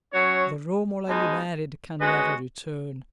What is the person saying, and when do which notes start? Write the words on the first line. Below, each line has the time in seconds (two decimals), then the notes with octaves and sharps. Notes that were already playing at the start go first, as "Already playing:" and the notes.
The Romola you married can never return.
0.13 F#3 C#4 F#4 C#5
1.05 B2 G#3 D#4
1.99 G#3 C#4 F#4 B4 D#5